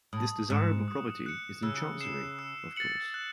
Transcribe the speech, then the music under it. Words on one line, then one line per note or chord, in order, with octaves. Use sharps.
This desirable property is in Chancery, of course.
A2 D#6
G#2 F#6 C#7 E7
D#6
F#6 C#7
C#3 E6
C7 E7
E6
A6 C#7 F#7
F#6